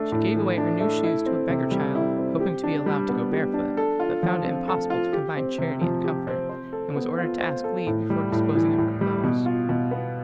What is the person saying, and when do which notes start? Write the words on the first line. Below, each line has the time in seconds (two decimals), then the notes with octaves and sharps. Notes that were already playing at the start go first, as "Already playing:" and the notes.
She gave away her new shoes to a beggar child, hoping to be allowed to go barefoot, but found it impossible to combine charity and comfort, and was ordered to ask leave before disposing of her clothes.
Already playing: A3 D4
0.12 A2
0.35 E3
0.58 D4
0.80 A3
1.04 E4
1.26 C4
1.49 C3
1.71 G3
1.95 E4
2.18 C4
2.40 G4
2.64 D4
2.86 G3
3.09 B3
3.32 G4
3.54 D4
3.77 A4
4.00 F4
4.23 F3
4.44 C4
4.68 A4
4.90 F4
5.13 G4
5.37 C4
5.59 C3
5.81 F3
6.04 G4
6.27 C4
6.49 C5
6.73 A4
6.96 B3
7.18 F4
7.41 C5
7.64 A4
7.87 A2
8.10 G3
8.32 A2
8.55 E3
8.78 A2
9.01 G3
9.24 B2
9.46 F4
9.69 B2
9.91 B3